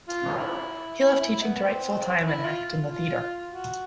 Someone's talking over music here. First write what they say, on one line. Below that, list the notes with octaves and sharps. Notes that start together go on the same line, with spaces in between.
He left teaching to write full-time and act in the theatre.
F4
E4
E4
E4
B3
C4
E4
F4
F4
F#4